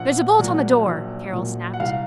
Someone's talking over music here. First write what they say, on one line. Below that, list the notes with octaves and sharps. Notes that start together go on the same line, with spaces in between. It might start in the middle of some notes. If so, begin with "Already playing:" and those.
"There's a bolt on the door!" Carroll snapped.
Already playing: A#1 F#5
A#2 F#3
A#1
A#2 F#3
F#5
C2 F5